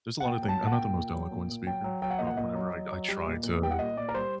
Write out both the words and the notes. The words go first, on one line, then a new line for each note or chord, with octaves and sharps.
there's a lotta thing I'm not the most eloquent speaker, but whenever I I try to
F#5
A#2 G5
F#3
A5
A#2
F#5
A#2 G5
A#2
F#3
A#2
A#2
F#3 G5
F#3
F#3 G5
F#5
A#2 D#5
F#5
A#2 D#5
F#3
F#3
F#3
G3
A#2
A#2
G3 G5
F#5
A#2 D#5
A#2 D5
A#4
G3 C5